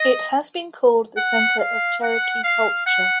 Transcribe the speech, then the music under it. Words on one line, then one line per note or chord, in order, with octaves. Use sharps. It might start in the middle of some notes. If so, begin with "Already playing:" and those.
It has been called the center of Cherokee culture.
Already playing: D#5
F#5
F5
F#5
F5
F#5